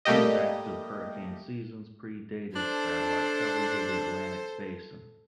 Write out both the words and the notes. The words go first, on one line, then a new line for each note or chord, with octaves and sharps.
These active hurricane seasons predated satellite coverage of the Atlantic basin.
G3 A3 A#3 G4 D#5
D4 A4 C5